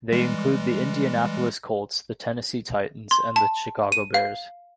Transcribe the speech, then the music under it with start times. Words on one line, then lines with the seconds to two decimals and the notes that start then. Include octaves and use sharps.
They include the Indianapolis Colts, the Tennessee Titans, and the Chicago Bears.
0.12 E3 G3 G#3
3.11 C6
3.36 A5
3.92 D#7
4.14 F5